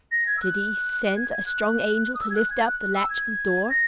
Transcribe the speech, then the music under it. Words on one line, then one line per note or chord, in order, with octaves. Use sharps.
Did he send a strong angel to lift up the latch of the door?
A#6
G#6
E6
F#6
F#6
G#6
G#6
F#6
D#6
E6
G#6
F#6
G#6
F#6
F#6
E6
G#6
A#6